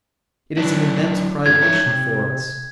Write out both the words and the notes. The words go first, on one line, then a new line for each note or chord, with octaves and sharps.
It is an immense privation for us.
F#3 D4 E4
G2 E3 F4 G#6
D#4 C#5 E5
C3